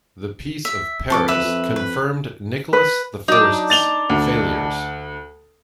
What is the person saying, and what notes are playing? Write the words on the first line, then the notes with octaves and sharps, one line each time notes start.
The Peace of Paris confirmed Nicholas the First's failures.
E5
F2 A4 C#6 D6
B4 E5
F2
B4
B4
F#3 D4 D#4
A6 F7 G7
D2